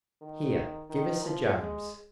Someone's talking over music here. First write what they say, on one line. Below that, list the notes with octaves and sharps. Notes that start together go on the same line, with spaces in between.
"Here, give us a james."
D#3
D#3
F3
G#3